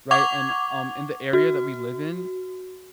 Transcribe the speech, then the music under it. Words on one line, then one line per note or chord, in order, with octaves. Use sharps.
right, and, um, in the area that we live in,
F#5 C#6 D6 G#6 F7
F#4